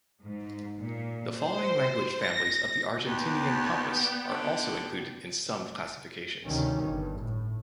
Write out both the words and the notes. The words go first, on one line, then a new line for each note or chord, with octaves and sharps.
The following language families of the Argentinian Pampas are also included in some classifications.
G#2
A#2
C5
A#6
D#2 B3 D5 G5
D3
D2 C3 D#3 G3 C#4
G1 G2
A2